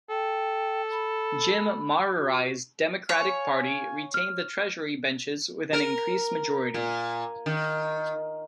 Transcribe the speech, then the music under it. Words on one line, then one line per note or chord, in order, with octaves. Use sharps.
Jim Marurai's Democratic Party retained the Treasury benches with an increased majority.
A4 G5
B5
F#4
C#5 F5 G#5
F6
A#4
A#2
D#3